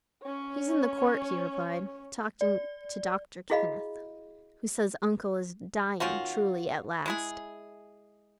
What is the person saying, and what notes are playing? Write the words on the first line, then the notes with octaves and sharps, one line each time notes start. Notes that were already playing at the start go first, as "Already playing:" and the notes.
'He's in the court,' he replied, 'talking to Doctor Kenneth; who says uncle is dying, truly, at last.
C#4 C#5
D5
E4 F#4 G#4 D#5 F5 B5
D#3 C#4 F4 F#4
G#3 E4 G#4